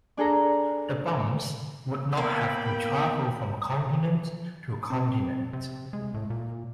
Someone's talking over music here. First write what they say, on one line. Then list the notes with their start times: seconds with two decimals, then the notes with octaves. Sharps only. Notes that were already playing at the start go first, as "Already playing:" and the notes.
The bombs would not have to travel from continent to continent.
0.17 D4 G#4 A4 A#5
2.17 A#3 B3 G5 B5
4.90 C4
5.53 C3
5.93 G#3
6.14 A2
6.30 A#2